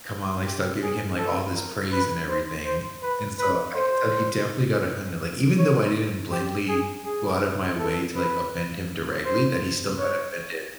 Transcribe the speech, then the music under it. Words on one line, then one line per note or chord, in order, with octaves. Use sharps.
"Come on, like, stop giving him, like, all this praise and everything." And so I can tell he definitely got offended, like, even though I didn't blatantly go out of my way to, like, offend him directly, that he still got offended
G4
G#4
A4
A#4
B4
C5
C5
B4
B4
C5
C#5
G4
G#4
G#4
A4
B4
C5
C#5